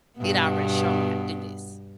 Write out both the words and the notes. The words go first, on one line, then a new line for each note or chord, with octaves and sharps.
it already showed me how to do this.
G2 B2 B3